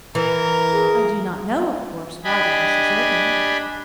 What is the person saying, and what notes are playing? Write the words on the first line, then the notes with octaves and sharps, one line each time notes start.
I do not know, of course, why the house is open.
E3 A#4
G#4
D4 G4 D#5 G#5 B5